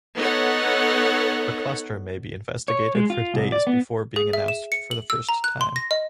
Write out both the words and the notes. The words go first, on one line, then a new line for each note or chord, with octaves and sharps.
A cluster may be investigated for days before being announced for the first time.
B3 D#4 A4 C#5 F#5
C#5
G#3
F4
C2
D5
B3
G#4
E5
E7
C#7
F#7
E6
A#5
F#6
C6
A#6
D#5